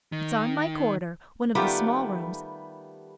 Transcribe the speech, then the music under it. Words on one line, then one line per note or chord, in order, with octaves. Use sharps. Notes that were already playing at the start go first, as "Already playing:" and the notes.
It's on my corridor--one of the small rooms.
D#3
D#3 G3 A3 B3 F4 G4